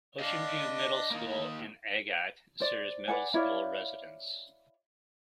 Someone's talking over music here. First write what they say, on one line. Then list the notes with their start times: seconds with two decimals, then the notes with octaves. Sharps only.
Oceanview Middle School in Agat serves middle school residents.
0.20 D4 D#5 F5
1.11 A#3 D#4
2.60 C5 D5
3.08 B4 D5 F#5 G#5
3.34 E4 C#5 D5 F5